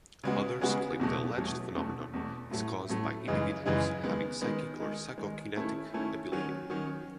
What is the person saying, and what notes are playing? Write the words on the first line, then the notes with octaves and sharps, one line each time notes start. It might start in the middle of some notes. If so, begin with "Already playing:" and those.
Others claim the alleged phenomenon is caused by individuals having psychic or psychokinetic ability.
C#3 G#3 B3 F#4
C#3 G#3 B3 F#4
E2 B2 F#3 A3
E2 B2 F#3 A3
E2 B2 A3
E2 B2 A3
A2 F#3 A3
A2 F#3 A3
F#2 C#3 E3 G#3 D#4
F#2 C#3 E3 G#3 D#4
D#3 G#3 B3
D#3 G#3 B3
D#3 G#3 D#4
D#3 G#3 D#4
D#3 A3 C#4 E4
D#3 A3 C#4 E4
D#3 F#3 C#4
D#3 F#3 C#4